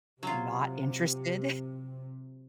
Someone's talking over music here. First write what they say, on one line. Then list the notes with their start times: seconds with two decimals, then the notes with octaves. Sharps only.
not interested.
0.23 C3 F#3 F4